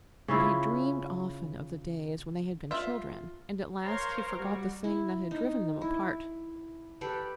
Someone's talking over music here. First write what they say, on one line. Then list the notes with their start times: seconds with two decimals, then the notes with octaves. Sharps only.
But he dreamed often of the days when they had been children and at last he forgot the thing that had driven them apart.
0.28 C#3 C#4 E4 F4
2.71 F4 E5
3.84 A#4 C5 C#5 F5 A#5 C6
4.36 G3 F#4
4.84 E4
5.31 D#4
5.81 E4
7.01 G4 A4 B4 D5